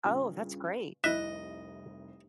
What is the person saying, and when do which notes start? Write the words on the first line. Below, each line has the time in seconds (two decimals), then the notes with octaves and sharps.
Oh, that's great.
0.05 G2 A#2 C#3
1.04 F1 C2 E4 D#5 E5 F#6